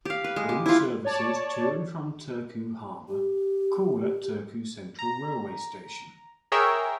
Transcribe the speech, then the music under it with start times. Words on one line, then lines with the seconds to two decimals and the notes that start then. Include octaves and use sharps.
All services to and from Turku Harbour call at Turku Central railway station.
0.05 G4 F5
0.24 B4
0.36 G#3
0.49 G4
0.66 E4 F4
1.04 C#5 D5 A5
3.09 G4
4.99 A#5
6.52 G#4 A#4 C#5 E5 G5 E6